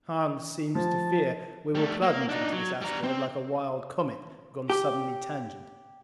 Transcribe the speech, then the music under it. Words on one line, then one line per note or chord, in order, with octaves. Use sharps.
"Hahn seems to fear we will plunge into this asteroid like a wild comet gone suddenly tangent!"
F3 A5
G3 A3
A#3
D4 D#4
F#3
G3 A#5
C4
G4